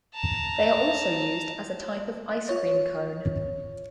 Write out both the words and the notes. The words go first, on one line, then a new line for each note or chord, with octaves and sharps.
They are also used as a type of ice cream cone.
A5 A#5
F4 C#5